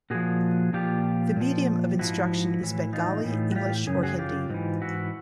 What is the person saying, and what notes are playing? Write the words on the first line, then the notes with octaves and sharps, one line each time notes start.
The medium of instruction is Bengali, English or Hindi.
A#2 F3 F#4 G#4
A#2 F3 F4 G4
A#2 F3
G#2 F3 E4 F#4
A2 E3
D#4 F4
A2 E3
F#4
F4 G4
F#2 C#3 G#4
F#4 G#4
F4 G4
G#2 E3
E4 F#4